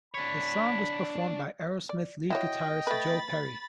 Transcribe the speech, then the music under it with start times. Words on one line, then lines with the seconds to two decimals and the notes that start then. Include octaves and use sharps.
The song was performed by Aerosmith lead guitarist Joe Perry.
0.14 D4 C#5 B5
1.89 D5
2.30 E4 F#4 C#5 D#5 G5
2.87 A3 B4 B5 A6